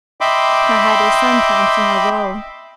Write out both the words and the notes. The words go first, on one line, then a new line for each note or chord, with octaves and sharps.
My head is sometimes in a whirl.
D#5 E5 G5 B5 C6 D6